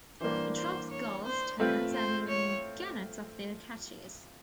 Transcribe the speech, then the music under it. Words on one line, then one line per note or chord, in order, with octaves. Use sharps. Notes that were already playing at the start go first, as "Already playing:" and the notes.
It robs gulls, terns and even gannets of their catches.
E3 G3 A#3 D4 C5
C5
C#5
C5
A3 C4 F4 B4
C5
C#5